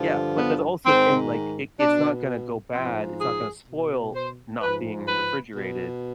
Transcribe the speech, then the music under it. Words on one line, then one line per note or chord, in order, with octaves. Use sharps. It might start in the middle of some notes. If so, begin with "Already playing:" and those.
Yeah. But that also can like it it's not gonna go bad. It's not gonna spoil not being refrigerated,
Already playing: G2 D3 F3
B3
G#2 D#3 C4
B2 D4
G#2 F3 C4
G#4
B2
C5
G#2 F3 B4
B4
B2